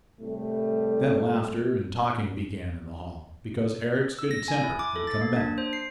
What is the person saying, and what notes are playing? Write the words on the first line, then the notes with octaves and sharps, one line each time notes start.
Then laughter and talking began in the hall because Eric's good temper had come back.
C2 A2 G3 A3
E6
A#6
G#5
E4
D6
A4
A6
A#3
D4
C5
C7